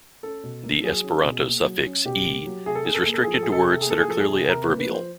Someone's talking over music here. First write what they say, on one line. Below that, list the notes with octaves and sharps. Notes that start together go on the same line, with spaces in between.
The Esperanto suffix "-e" is restricted to words that are clearly adverbial.
C#4 A4
B2
A#3
F#3 G#4
C#4
B2
A#3
F#3
C#4
B2 G4
A#3
F#3
C3 G#4
A4
C3 G#4
A4
A#3 G#4
A4
F3 G#4
A4
C3 G#4
A4
G#4
C3 A4
G#4
A#3 A4
G#4
F3 A4
G#4
C3
C3 A#4
B4
A#3
B4
F3 C5